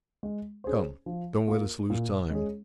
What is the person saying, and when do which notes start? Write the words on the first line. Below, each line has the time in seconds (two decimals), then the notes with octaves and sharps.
Come, don't let us lose time.
0.23 G#3
0.64 C#4 G#4 C5
1.06 F3
1.47 A#3 F4 A#4
1.90 A#2
2.30 G#3 C#4 G#4